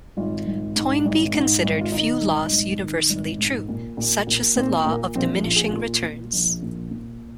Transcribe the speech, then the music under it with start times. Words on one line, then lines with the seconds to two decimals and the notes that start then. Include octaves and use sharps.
Toynbee considered few laws universally true, such as the law of diminishing returns.
0.17 G#1 F4
0.47 G#1
0.76 G#2
1.05 G#1
1.34 G#2
1.63 G#1
1.81 F4
1.92 D#3 D#4
2.22 G#1
2.52 G#1
2.81 D#3
3.10 G#1
3.39 G#2
3.69 A#2
3.97 A#2
4.27 A#2
4.56 A#2 C4
4.85 A#2 A#3
5.15 A#1 C4
5.44 A#2 F4
5.56 G#4
5.66 F4
5.73 A#2
6.03 A#2
6.33 A#1
6.62 A#2
6.91 A#2